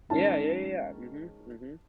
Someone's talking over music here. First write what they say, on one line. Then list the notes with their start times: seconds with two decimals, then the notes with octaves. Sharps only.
Yeah, yeah, yeah, yeah. Mhm, mhm.
0.10 G#2 D#3 G#3 C#4 A5